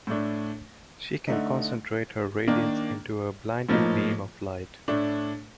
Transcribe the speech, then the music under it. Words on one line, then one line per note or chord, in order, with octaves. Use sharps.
She can concentrate her radiance into a blinding beam of light.
A2 A3 D4
D3 A3 D#4
D#3 A#3 D4
A2 F3 A#3 D#4
A2 A3 D4